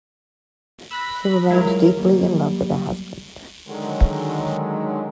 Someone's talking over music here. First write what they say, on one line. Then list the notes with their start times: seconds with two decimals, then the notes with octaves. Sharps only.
She remained deeply in love with her husband.
0.91 B5 E6 F#6 A#6
1.50 F#3 G#3 E4 F4 A#4
1.97 F#3 G3 A#3
3.67 D3 D#3 F#3 G#3